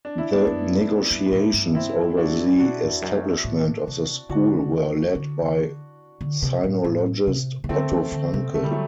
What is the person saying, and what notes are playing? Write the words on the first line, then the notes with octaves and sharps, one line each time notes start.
The negotiations over the establishment of the school were led by sinologist Otto Franke.
D4
E4
B3 D4
F#2
G2
A2
G2
C4 E4
D4 F#4
B2 D4 F#4
E2
F#2
A2
C3
D3 D4 F#4
D3
D3
C3
A2
A2
C3
C3
D3 A3 C4
E3
D3
C3
D3 A3
G3
F#3 A3